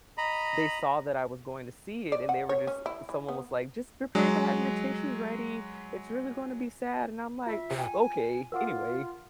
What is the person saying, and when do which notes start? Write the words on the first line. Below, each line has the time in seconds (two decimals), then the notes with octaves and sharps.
they saw that I was going to see it and they were just someone was like, "Just prepared to have your tissues ready, it's really gonna be sad." And I'm like, "Okay. Anyway,
0.18 D#5 A#5 B5
2.12 D5
2.29 F#5
2.49 C#5
2.67 C#4
2.86 E4
3.09 E3
3.28 B3
4.15 F#3 G#3
7.46 F4 E5
7.78 G5 G#5
8.52 F4 A#4 F#5 D6